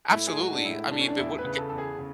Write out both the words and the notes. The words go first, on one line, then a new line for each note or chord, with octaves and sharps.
Absolutely, I mean, but what okay.
A2 E4
G#4
G#3 F#4
D4
A2 E4
A2 D4
C#4
D4
E2 E4
B4
C#3
A4
E2 A4
G#4
C#3